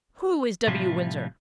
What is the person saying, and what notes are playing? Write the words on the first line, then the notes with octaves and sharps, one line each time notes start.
Who is W. Windsor?
A2 C3 F3 G3 E4 F4